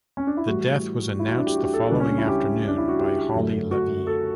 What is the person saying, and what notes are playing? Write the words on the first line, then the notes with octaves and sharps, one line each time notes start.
The death was announced the following afternoon by Holly Levis.
C#4
D4
E4
A2 E3 G3 F#4
E4
F#4
D4
G4
F#4
G4
A4
F#4
C#2 C#3 G3 D4
C#4
D4
E4
G4
D4
E4
F#4
G4
F#2 D3 A3
F#4
A4